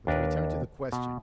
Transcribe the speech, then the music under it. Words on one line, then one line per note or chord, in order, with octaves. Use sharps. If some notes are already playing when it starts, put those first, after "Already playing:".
But to return to the question.
D#2 D4 A#4 B4
B2